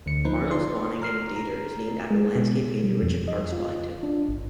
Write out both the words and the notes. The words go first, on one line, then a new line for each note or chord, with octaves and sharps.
Arnold's Bonington Theatre is named after the landscape painter Richard Parkes Bonington.
D2 D3 C#7
F3 A#3 D#4 B4 C5
D5 C6
C#5 A#5 F6 C7
A#5
G#3
B2
G3
F2
D#5
F4
D4
G#1